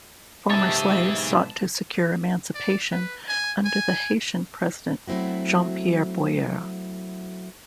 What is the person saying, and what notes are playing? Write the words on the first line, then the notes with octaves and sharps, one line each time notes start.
Former slaves sought to secure emancipation under the Haitian President Jean-Pierre Boyer.
B1 G#2 G4 G#4 C#5 E5 A5
D5
B4
G#5
G#5
F#3 A3 C4 E4 F#4